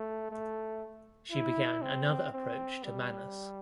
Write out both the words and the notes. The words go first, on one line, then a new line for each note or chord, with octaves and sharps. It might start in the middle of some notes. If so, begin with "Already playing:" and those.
She began another approach to Manus.
Already playing: A3
A3
E4
C4
C4
G3